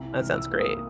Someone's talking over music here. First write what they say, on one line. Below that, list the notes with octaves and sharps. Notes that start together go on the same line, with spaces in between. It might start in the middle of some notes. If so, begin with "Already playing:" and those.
That sounds great.
Already playing: C2
F6
C2
E6
A#3
D#6